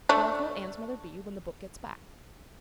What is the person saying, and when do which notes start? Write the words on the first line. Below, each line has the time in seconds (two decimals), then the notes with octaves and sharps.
How old will Ann's mother be when the book gets back?
0.09 A3 D4